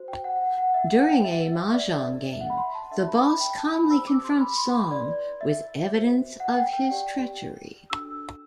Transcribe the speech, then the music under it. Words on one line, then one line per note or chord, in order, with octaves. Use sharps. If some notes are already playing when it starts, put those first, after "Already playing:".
During a mahjong game, the Boss calmly confronts Song with evidence of his treachery.
Already playing: F#4 C5
G5
F#5
F#5
F#5
E5
E5
E4 G4 C5 F#5
G5
E5
E5
E5
D5
D4 A4 D5 E5
E5
E5
F#5
B5
C6
A5
D4 A4 D5 E5
B5
B5
G5
A5
B5
G4 C5 E6
D6
C6
B5
C6
B5
E4 B4 D5
E5
F#4 C5
F#5
G5
G5
G4 D5
D4 F#4 A4 E6